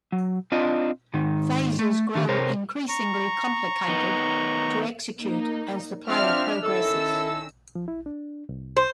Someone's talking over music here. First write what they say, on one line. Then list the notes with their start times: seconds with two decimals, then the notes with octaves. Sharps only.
Phases grow increasingly complicated to execute as the player progresses.
0.12 F#3
0.52 C4 D4 F4 D#5
1.14 G#2 D#3
1.79 A3
2.15 D3 D#3 G4
2.29 C3 A#4 C5 C#5
2.89 A#5 C#6
3.88 D#3 B3 D#4
5.21 A#3 D#4
6.08 F3 C4 D4 E5 F6
6.63 D#3 C#4 E4 A4 E6
7.75 F3
7.88 E4
8.06 D4
8.49 C2
8.77 C5